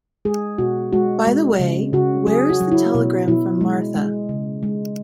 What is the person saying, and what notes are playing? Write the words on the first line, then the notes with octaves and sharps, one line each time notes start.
By the way, where is the telegram from Marthe?
G#3 G#4
B2 F#4
G#3 F#4
G#3
C#3
C#3 F#4
F#3 G#4
F#4
F#3
E4
B2
B2 E4
G#3
G#3
C#3
G#3